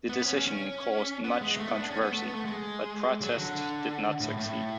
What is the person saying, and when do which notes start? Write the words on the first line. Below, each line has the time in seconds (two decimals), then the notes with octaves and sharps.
The decision caused much controversy, but protests did not succeed.
0.09 B3
0.25 C#4
0.36 C#4
0.48 C#4
1.24 B3
1.41 G#3
1.57 A3
1.68 B3
1.79 D4
1.91 C#4
2.01 B3
2.12 A3
2.23 B3
2.34 A3
2.45 G#3
3.22 F#3
3.38 D3
4.20 A2
4.37 A2